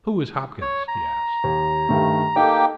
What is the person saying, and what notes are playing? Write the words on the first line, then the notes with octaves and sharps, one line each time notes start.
"Who is Hopkins?" he asked.
C#5
A#5
D#2
G2 D#3 A3
A#3 D#4 G4 A4 G5